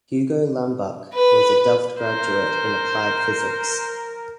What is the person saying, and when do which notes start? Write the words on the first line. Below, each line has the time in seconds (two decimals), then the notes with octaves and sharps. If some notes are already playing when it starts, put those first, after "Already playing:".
Hugo Lambach was a Delft graduate in applied physics.
1.14 B4
2.00 A#4 C5